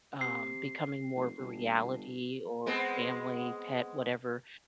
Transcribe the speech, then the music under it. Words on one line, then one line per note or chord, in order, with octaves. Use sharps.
um, becoming more of a reality or family, pet, whatever
C3 C7
F1
G1
G#3 B3 C4